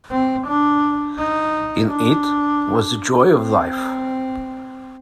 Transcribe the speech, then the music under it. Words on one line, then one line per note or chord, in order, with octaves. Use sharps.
In it was the joy of life.
C4
D4
D#4
D4
C4